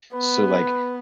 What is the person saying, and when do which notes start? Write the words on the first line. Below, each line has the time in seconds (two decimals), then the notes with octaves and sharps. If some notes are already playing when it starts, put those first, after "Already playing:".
So, like,
0.13 B3 B4